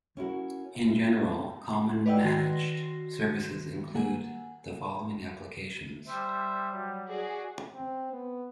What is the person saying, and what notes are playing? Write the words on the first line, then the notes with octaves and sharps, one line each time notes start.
In general, common managed services include the following applications.
C#4 E4 F#4 A#4
B4 D5 D#5 F#5 G5 E6
D#3 F#4 C6 A#6 C7
A#3 F#5 G#5
G3 C5 E5
F#3
F#4 G#4 D5
C4
B3